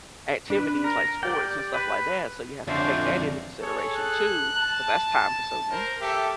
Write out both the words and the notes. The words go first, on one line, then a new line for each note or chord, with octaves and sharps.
activities, like, sports and stuff like that, so, you have to take that into consideration too 'cause that's time-consuming.
D4 B4
A#4 A#5
G4 D5 G5
B4
F2 D3 C#4 D4 F4 C5 E5
G#4 A4 C#5
F#6
A5
A#4 C5
G4 A4 E5